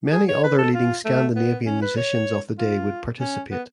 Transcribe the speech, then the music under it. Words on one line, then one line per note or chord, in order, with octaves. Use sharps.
Many other leading Scandinavian musicians of the day would participate.
G#4
C#5
B4
A4
F4
A3
B3
C#4
B4
C#5
F4
C#4
B3